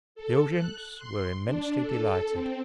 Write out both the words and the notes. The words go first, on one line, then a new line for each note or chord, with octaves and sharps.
The audience were immensely delighted.
A4
F#6
C6
D4
A4
C4